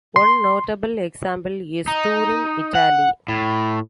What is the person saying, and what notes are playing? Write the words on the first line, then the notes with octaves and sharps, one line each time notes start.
One notable example is Turin, Italy.
C6
D#4
F#5
A2